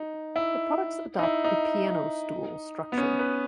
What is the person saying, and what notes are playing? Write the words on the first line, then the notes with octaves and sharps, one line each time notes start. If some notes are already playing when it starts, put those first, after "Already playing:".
The products adopt a "piano-stool" structure.
Already playing: D#4
E4
D#4
E4
D#4
B3
C#4
B4